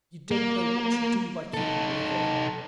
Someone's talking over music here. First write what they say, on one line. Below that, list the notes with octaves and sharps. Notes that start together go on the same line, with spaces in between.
You don't know what you do by keeping me here.
A#3
D#4 A4